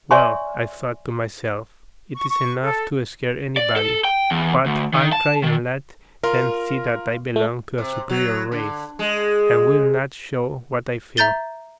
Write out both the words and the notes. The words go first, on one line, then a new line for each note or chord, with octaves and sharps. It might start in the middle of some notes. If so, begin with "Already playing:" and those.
"Well," I thought to myself, "it is enough to scare anybody; but I'll try and let them see that I belong to a superior race, and will not show what I feel."
C#5 D5 E5 G#5 C6 C#6
C#6
C#6
A4
D5
A4
G5
E2
D2
D#3
A5
D#3
F4 A#4
A3
C3
F#3
D3
G#3
E5 A#5 G6 A6 G7